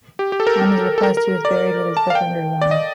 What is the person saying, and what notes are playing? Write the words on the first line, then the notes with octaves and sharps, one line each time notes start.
On his request he was buried with this book under his arm.
G4
G4
A4
A#4
A4
A#4
A#4
D5
A5
F5
G5
D5
D#5